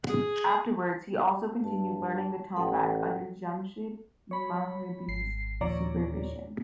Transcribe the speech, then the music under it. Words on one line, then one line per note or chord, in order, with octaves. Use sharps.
Afterwards, he also continued learning the tombak under Jamshid Mohebbi's supervision.
G#4
G2 A5
A1 A4 F#5 G5
C#5 B5
G#1 C7
D#2 A#2 F3 C#5 D5 A#5